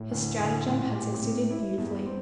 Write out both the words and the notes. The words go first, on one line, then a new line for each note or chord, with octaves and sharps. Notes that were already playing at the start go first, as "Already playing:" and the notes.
His stratagem had succeeded beautifully.
Already playing: A2
D2
D2
A#2
G4
C3
E4
E2 G2
C4